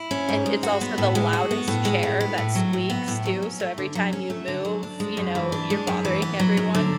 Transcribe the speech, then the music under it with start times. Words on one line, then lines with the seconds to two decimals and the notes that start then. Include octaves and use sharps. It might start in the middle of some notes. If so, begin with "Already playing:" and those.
And it's also the loudest chair that squeaks, too, so every time you move, you know, you're bothering everyone.
Already playing: E4
0.11 C#4
0.29 G#2
0.46 G#3
0.63 F#4
0.81 B3
0.98 A2
1.15 G#3
1.33 F#4
1.51 B3
1.68 A2
1.85 G#3
2.03 A2
2.21 B3
2.38 A2
2.55 F#3
2.73 A2
2.90 B3
3.08 A2
3.25 F#3
3.42 C#4
3.60 A3
3.78 D3
3.95 F#3
4.13 C#4
4.30 A3
4.48 D3
4.65 F#3
4.83 D4
5.00 G#3
5.17 F#2
5.35 E3
5.52 D4
5.70 G#3
5.87 F#2
6.05 E3
6.22 B3
6.40 F#3
6.57 F#2
6.75 D3